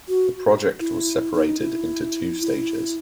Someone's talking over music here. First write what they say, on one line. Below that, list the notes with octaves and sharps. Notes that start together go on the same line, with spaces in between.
The project was separated into two stages.
F#4
E4
D#4
E4
E4